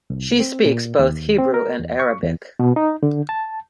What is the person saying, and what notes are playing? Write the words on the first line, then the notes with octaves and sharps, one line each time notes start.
She speaks both Hebrew and Arabic.
C2
C4
A#2
D#2
C4
A#4
E2
C#6
E2
B2
D#4
D3
A5